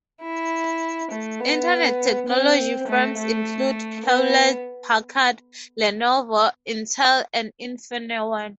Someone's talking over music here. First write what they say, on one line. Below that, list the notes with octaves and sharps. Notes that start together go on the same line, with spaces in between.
Internet technology firms include Hewlett-Packard, Lenovo, Intel, and Infineon.
E4
A3
B3
C4
A3
A3
B3